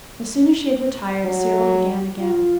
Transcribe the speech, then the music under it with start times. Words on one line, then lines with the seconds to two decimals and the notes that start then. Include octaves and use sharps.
As soon as she had retired, Cyril began again.
1.25 F#3
2.19 F4